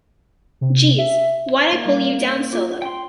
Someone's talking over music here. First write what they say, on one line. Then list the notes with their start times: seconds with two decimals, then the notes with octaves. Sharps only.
Geez, why'd I pull you down so low?
0.61 C3
0.99 E5
1.73 A#3
1.86 G3
2.53 F4
2.82 G5 C6